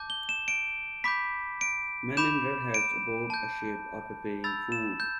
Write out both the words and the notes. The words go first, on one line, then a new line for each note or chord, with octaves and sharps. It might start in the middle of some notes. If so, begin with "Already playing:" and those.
Men in red hats aboard a ship are preparing food.
Already playing: A5 D6 G6
G7
E7
D7
B5 D6 G6 B6
D7
B5 D6 G6 E7
D7
A5 G6
B5 E6 G6 A6
E7
G6